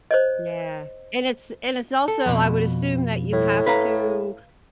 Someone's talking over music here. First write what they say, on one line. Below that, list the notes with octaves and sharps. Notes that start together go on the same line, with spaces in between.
Yeah. And, it's and, it's also, I would assume, that you have to,
C5 C#5 D#5
A4
F2 B2
A2
B4 F5 A#5